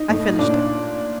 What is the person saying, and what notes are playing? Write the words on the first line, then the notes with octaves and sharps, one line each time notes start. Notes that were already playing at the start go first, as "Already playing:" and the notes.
I finished it.
Already playing: D#4
A2
D#4
A#2 D4